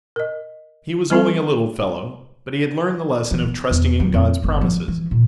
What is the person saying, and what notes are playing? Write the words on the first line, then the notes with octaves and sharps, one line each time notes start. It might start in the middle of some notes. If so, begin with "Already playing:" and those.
He was only a little fellow but he had learned the lesson of trusting in God's promises.
A#4 D#5
G3 C4 F4 A4
E3
B2
E2
F#3
F2
G1
F3
E3
A#2